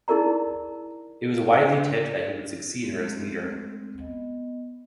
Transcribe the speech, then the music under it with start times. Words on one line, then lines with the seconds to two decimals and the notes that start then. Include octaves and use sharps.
It was widely tipped that he would succeed her as leader.
0.08 D#4 E4 G#4 A#4 D5 A#5
2.81 G#3 A3 C4
4.00 B3 D#5